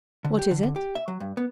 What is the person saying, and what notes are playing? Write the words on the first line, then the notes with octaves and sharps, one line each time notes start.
What is it?
D3
G4
D3
D3
G4
E5
F#3
G2
B3